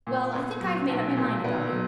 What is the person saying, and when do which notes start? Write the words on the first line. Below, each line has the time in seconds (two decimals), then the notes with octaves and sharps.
Well, I think I have made up my mind about it.
0.07 A#2
0.34 B3
0.61 F#3
0.89 B1
1.17 A#2
1.44 B3
1.72 F#3